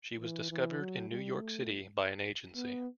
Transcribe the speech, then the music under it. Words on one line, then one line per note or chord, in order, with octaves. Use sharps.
She was discovered in New York City by an agency.
E3
E3
F#3
G3
A3
B3